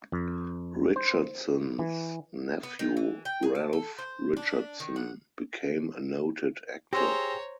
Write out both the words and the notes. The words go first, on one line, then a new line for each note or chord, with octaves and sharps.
Richardson's nephew Ralph Richardson, became a noted actor.
F2
C5
E3
B3
D#3
E3
G5
G#4
A5
A4
C5
D4
D#3
F#5
G4 G#4 C5 C#5 A#5 C6 E6 A#6